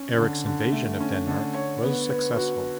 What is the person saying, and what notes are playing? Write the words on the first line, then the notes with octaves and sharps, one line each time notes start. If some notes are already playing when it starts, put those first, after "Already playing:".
Eric's invasion of Denmark was successful.
Already playing: C#4
D3
D3
A3
C#4
D3
C#5
B3
B3
F#4